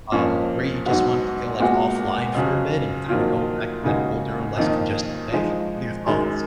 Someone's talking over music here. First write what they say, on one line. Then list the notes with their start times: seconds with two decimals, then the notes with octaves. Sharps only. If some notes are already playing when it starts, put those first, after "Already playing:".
um, where you just wanted to go, like, offline for a bit and kinda go back to that older, less congested way? What are your thoughts?
0.12 F2 F3 A#3 C#4
0.86 G#2 F#3 B3 F#4
1.60 A#2 G#3 B3 F#4
2.34 F2 C#3 F#3
3.09 F2 D#3 F#3 A#3 F4
3.83 D#2 C#3 G#3 D#4 F#4
4.57 F2 D#3 A#3 D#4
5.32 F3 G#3 D#4
6.06 F#2 D#3 G#3